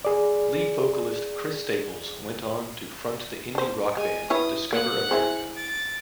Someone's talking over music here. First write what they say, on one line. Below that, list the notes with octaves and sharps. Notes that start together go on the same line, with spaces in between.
Lead vocalist Chris Staples went on to front the indie rock band Discover America.
G#4 D5
D4 C5
G#3 G#5
E4 B4 C#5 D#6
A#3 F#5 F#6
E4 G#4 C5
A6 D7